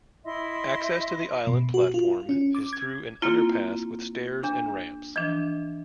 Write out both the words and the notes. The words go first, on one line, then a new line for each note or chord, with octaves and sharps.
Access to the island platform is through an underpass with stairs and ramps.
E4 D#5 E5 C6
B2
F#4
F4
C#4
D6
G#6
A#3 C4 E4 F4
D4 G#4
E3 F3 D4 D#5